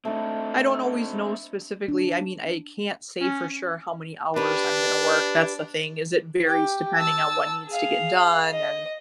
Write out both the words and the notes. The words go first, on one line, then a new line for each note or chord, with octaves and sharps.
I don't always know specifically. I mean, I can't say for sure how many hours I'm gonna work, that's the thing, is it varies depending on what needs to get done, and,
A3 C4 D4 D#4
D4
C#4
D4 G4 B4
G4
A5 E6
G#4 F5
D#5